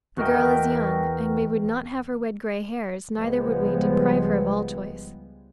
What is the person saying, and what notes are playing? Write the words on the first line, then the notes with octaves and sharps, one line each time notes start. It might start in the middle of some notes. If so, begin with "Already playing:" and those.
The girl is young, and we would not have her wed grey hairs, neither would we deprive her of all choice.
E2 F#4 A#4 D#5 E5 G5
C#2 F3 G3 G#3 B3